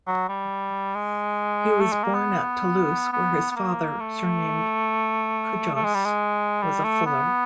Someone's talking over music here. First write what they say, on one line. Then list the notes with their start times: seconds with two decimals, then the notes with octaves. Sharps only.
He was born at Toulouse, where his father, surnamed Cujaus, was a fuller.
0.07 F#3
0.29 G3
0.95 G#3
1.81 A3
1.92 G#3
2.03 A#3
2.14 B3
3.13 B3
3.51 B3
3.56 A#3
4.00 A3
5.75 A3
5.85 G#3
5.94 G3
6.05 G#3
6.62 G3
6.84 A3
7.06 B3